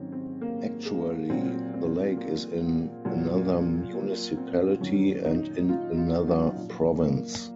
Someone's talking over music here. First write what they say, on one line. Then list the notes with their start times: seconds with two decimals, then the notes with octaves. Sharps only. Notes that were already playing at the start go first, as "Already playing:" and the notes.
Actually, the lake is in another municipality and in another province.
Already playing: G#2 D#3 F#3 C4 C#4
0.12 C4
0.41 A#3
0.85 G#3
1.30 A#2 F#3 C4
1.73 C4
2.17 A#3
3.05 A#2 F#3
3.93 A#3
4.37 C4
4.80 F#2 D#3 F#3 C#4
5.25 D#4
5.69 F4
5.97 F4
6.27 F#3
6.56 A#2 F3
7.00 A#3